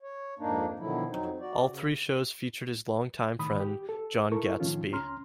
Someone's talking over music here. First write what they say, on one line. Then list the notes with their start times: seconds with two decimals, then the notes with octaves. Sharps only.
All three shows featured his longtime friend Jon Gadsby.
0.02 C#5
0.39 F2 G#2 A#3 D4 D#4
0.79 B2 D3 D#3 F3 F#3 E4
1.09 F2 F#3 C4 D#4
1.40 F#4 D5
1.67 C#3
3.39 A2 D#3 B5 D#6
3.60 G4
3.89 A4
4.32 E4 A4 A#4 C#6
4.60 A2 D3 D#3 F3 C#4 F4
4.92 C#2 C#4 A#5 C6 F6